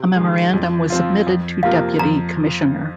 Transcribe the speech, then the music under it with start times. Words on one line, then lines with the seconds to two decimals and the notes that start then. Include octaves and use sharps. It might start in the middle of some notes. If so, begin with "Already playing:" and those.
A memorandum was submitted to Deputy Commissioner.
Already playing: C3
0.16 D#3 G#3
0.54 F2
0.90 F3 C4 F4
1.27 F2
1.63 C3 F3 A#3 F4 F5
1.99 F2 A#5